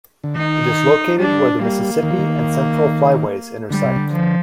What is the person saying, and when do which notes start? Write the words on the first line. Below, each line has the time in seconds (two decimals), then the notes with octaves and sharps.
It is located where the Mississippi and Central Flyways intersect.
0.24 D3
0.36 D#3 D#4
1.19 G3 D4
1.61 G3 A#3
2.03 D#3
2.11 F3
2.19 D#3
3.70 D3 G3
3.84 C3
3.96 D3
4.12 F3